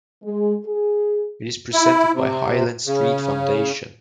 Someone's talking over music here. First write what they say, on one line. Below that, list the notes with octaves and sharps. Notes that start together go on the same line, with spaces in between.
It is presented by Highland Street Foundation.
G#3
G#4
E4
C3
C#3